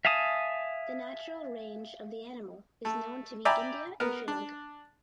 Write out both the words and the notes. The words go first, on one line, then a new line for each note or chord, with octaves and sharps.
The natural range of the animal is known to be India and Sri Lanka.
E5 F5 G#5 A5 D#6
A3
D5 E5 G5 G#5 A#5 B5
B3 A#4
D4